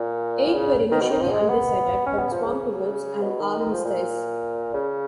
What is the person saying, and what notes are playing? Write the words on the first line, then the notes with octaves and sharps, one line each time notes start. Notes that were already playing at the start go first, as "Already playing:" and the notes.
Eight were initially undecided but swung towards an armistice.
Already playing: A#2
C#3
D#3
B2
D#3
F3
G#3
B3
C#4
B3
F3
C#3
B2
D#3
D#3
F3
A#2
C#3